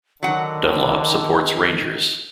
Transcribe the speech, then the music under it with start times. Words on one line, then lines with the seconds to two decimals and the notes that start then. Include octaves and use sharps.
Dunlop supports Rangers.
0.23 D3 D#3 F#3 F#5